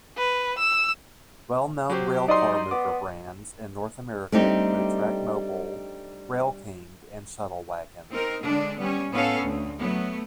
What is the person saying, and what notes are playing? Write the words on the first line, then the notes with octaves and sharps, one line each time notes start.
Well-known railcar mover brands in North America include Trackmobile, Rail King and Shuttlewagon.
B4
E6
F#3 G4 C5
D#4 D5 D#5 C6
B3 D6
G3 A3 C4 D4 D#4 G4
C4 D#4 A#4
D3 G#3 D4
G3 B3 C#4
A2 B3 C#4 A4 F5
D2
F#3 A3 B3